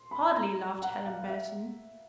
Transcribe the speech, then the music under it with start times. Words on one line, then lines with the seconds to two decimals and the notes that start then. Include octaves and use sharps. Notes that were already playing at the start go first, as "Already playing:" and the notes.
"Hardly," laughed Helen Burton.
Already playing: C6
0.11 B5
0.36 A#5
0.82 F#5
1.06 F5
1.29 E5